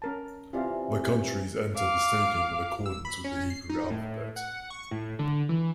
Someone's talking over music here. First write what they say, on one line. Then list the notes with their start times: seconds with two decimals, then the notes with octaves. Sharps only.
The countries enter the stadium in accordance with the Hebrew alphabet.
0.02 C#4 A#4 A5
0.53 C3 E3 F4 D5 F5
1.77 F5 D6
2.86 E6
3.05 B5
3.24 C#4
3.50 C7
3.70 D#4
3.90 A2
4.36 F#5
4.70 C#6
4.91 A2
5.19 D3
5.49 E3